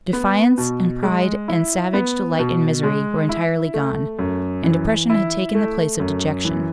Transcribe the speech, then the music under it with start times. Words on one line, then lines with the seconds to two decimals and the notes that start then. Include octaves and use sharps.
Defiance, and pride, and savage delight in misery, were entirely gone; and depression had taken the place of dejection.
0.13 B3
0.58 B2
1.03 G#3
1.48 E4
1.94 B3
2.39 B2
2.83 G#3
3.29 E4
3.74 A3
4.19 F#2
4.64 E3
5.10 E4
5.55 A3
6.00 F#2
6.45 E3